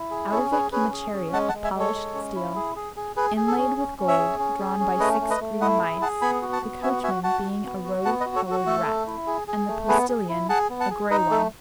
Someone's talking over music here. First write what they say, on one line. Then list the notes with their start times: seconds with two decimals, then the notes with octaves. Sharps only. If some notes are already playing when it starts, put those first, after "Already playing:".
Out of it came a chariot of polished steel, inlaid with gold, drawn by six green mice, the coachman being a rose-coloured rat, and the postilion a grey one.
Already playing: E4
0.11 G#4
0.32 C#4 A4 C#5
0.52 G#4 B4
0.72 C#4 G#4 B4
0.93 G#4
1.13 C#4
1.33 G#3 F#5 A5
1.49 F#5 A5
1.54 G#3
1.64 E5 G#5
1.74 G#3
1.79 A4 C#5
1.94 G#3
2.15 C#4
2.36 E4
2.56 G#4
2.76 G#4
2.96 G#4
3.16 G#4 B4
3.37 G#4
3.47 A4
3.58 C#4
3.78 C#4
3.98 C#4
4.08 C#5 E5
4.19 G#4
4.39 C#4
4.59 G#4
4.80 C#4
5.00 A3 B4 D#5
5.21 A3
5.30 B4 D#5
5.41 A3
5.61 E4 D#5 F#5
5.82 G#4
6.02 G#4 F#5 A5
6.22 B3 G#5 B5
6.42 F#4
6.52 F#5 A5
6.63 B3
6.83 F#4 E5 G#5
7.03 F#4 E5 G#5
7.24 F#4 F#5 A5
7.44 F#4
7.65 B3
7.85 F#4
8.05 B3 F#5 A5
8.20 B4 D#5
8.26 F#4
8.36 A4 C#5
8.46 F#4 A4
8.66 A3 A4
8.86 A3
9.07 E4
9.27 G#4
9.48 G#4
9.68 A3
9.89 B3 G#4 B4
10.09 G#4
10.29 E4
10.49 G#4 F#5 A5
10.70 B3
10.80 F#5 A5
10.90 G#4
11.10 D#4 B4 D#5
11.31 A3 A4